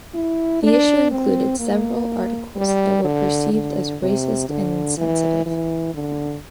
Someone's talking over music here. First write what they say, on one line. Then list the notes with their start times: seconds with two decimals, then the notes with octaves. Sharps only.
The issue included several articles that were perceived as racist and insensitive.
0.14 E4
0.63 D4
1.11 C4
1.59 A#3
2.56 G3
3.04 D3
3.52 D3
4.01 C3
4.49 D3
4.98 E3
5.46 E3
5.94 D3